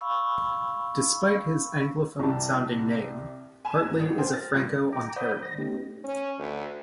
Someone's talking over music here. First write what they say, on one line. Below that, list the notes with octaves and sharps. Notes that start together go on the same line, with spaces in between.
Despite his anglophone-sounding name, Hartley is a Franco-Ontarian.
F5 B5 C#6 E6
C2 C3 A5
G#5 B5 E7
G#2
A1 D#6
F#4 G#4 A#4 C5 G5 G#5
F6 A6 A#6
C#2 G2
G5 A#5 D6
C5 D5 F#5 B5 D#6 G6
A#6
A3 B3 C#4 D#4 G4
C#4
D2